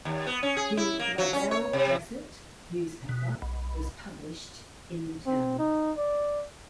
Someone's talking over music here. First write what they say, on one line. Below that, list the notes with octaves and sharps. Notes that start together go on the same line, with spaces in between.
The "La Belle Cresset" newspaper was published in the town.
D#2
B3
C#4
G#4
E4
A#3
F#3
C#4
C#5
C3
B2
B1
C4
D#4
D5